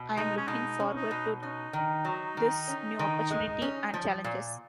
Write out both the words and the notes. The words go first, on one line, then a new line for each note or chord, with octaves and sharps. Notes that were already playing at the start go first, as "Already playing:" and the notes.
I am looking forward to this new opportunity and challenges.
Already playing: B2
G#3 D#4
C#4
B2 D#4
C#4
D#4
B2
C#4 D#4
D#3
F#3
D#3
C#4
D#3
G#3
C#4
F3
A#2